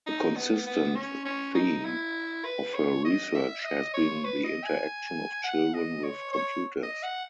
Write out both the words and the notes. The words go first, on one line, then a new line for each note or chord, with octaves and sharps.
A consistent theme of her research has been the interaction of children with computers.
D#4
B3
B3
C#4
C#4
D#4
E4
B4
C#5
D#5
E5
D#5
C#5
B4
D#5
G#5
F#5
D#5
C#5
C#5
D#5
F#5